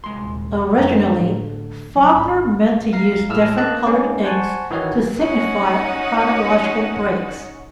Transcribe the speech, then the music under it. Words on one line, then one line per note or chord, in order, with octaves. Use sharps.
Originally Faulkner meant to use different colored inks to signify chronological breaks.
C2 G#3 C6
D#1
F#2 D3 A#5
A2
C2 F#3
G#1 B5
F5 A#5 C7
A2 E6 F6
A#3 D#5 A5 F#6
G#3 A#3 C4 C#4 D#4 G#4
C5 F#5 G#5 A5 C#6
D#3 E3 F#4 C#5
C#4 D#4 F#4 F#5